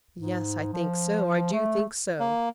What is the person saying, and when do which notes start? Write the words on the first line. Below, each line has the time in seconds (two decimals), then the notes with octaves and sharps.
"Yes, I think so; I do think so."
0.19 G#2
0.72 F3
1.52 A3
2.20 A#3